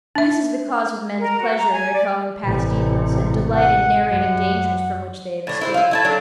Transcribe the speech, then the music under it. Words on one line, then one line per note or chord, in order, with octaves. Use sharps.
This is the cause of men's pleasure in recalling past evils, and delight in narrating dangers from which they have escaped.
D4 E5
A#4
F#4
A#5
G#5
D5
A1 C3
F#5
F#2 F#5
A2 D4
E4 B4 C5
E4 F4
A3 E4 A5
F#3 D4 A4 A#4